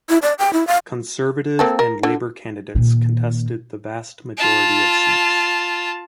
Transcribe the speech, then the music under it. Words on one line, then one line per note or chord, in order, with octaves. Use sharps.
Conservative and Labour candidates contested the vast majority of seats.
E4
D5
G5
E4
F5
A#3 C4 A4
A#4
D3
A#2 D#3
F4 A5